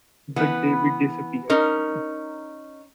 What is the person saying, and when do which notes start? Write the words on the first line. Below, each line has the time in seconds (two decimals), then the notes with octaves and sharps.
But David disappears.
0.36 E3 B3 B4
1.50 C#4 D#4 A#4